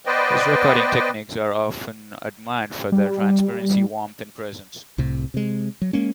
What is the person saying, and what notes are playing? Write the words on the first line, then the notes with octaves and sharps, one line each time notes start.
His recording techniques are often admired for their transparency, warmth and presence.
B3 B4 C5 D5 D#5 G5
G3
C2 A2 C3
C3 G#3
F#3
G#3 A#3 C#4